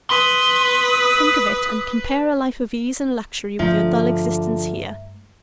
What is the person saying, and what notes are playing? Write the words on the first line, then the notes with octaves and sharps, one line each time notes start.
Think of it, and compare a life of ease and luxury with your dull existence here.
B4 C6 D#6
G2 D3 F3 A3 E5 A#5